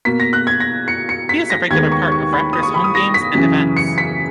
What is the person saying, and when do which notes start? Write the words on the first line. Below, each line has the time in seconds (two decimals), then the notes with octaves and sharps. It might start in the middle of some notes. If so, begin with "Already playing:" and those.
He is a regular part of Raptors home games and events.
0.05 B2 A#3 B6
0.20 A#6
0.33 F#6
0.47 G#6
0.60 A#6
0.88 C#7
1.09 C#7
1.29 B6
1.50 A#6
1.70 D#2 D#3 G#3 B3 G#6
1.92 C#6
2.12 C#6
2.33 B5
2.53 D#6
2.63 C#6
2.74 B5
2.84 D#6
2.95 A#6
3.14 B6
3.35 F#2 C#3 E3
3.77 C#7
3.98 B6